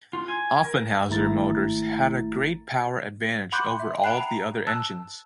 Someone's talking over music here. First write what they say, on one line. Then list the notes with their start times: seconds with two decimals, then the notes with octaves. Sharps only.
Offenhauser motors had a great power advantage over all of the other engines.
0.13 F4
0.28 G#5
0.64 A#4
1.10 G#1 A3 E4 A#5 A6
3.52 F#5 B5 C6 D6 F#6 G6
3.80 E5
4.04 F#5 G5 A5 B5 F#6 C7
4.17 A#5
4.67 A5 E6 F#6